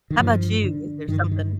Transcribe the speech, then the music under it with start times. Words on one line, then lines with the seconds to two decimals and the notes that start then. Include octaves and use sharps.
How 'bout you? Is there something
0.10 D#3
0.19 G2 F3
0.64 D3
1.09 G2 D#3
1.32 D#3